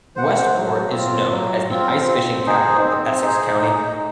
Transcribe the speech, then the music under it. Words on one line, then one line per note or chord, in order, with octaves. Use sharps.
Westport is known as the ice fishing capital of Essex County.
C5 F#5
F#3
C4 F4
F#3
C4 F4
C4
D#4 G#4 C5
C4
D#4 G#4 C5
D#4